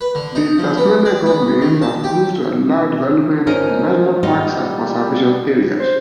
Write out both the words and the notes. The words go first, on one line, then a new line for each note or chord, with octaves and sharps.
The Tasmanian Government has moved to allow development in national parks and conservations areas.
B4
D3
D#4
F3
B3
D5
B3
D#3
A5
G4
F3 C#4 D#4 A#4
G3 B3 D#4 F4
C5